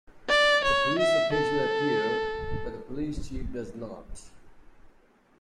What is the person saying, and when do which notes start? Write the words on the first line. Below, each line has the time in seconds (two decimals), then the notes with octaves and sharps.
The police occasionally appear, but the police chief does not.
0.28 D5
0.64 C#5
0.98 E5
1.33 A4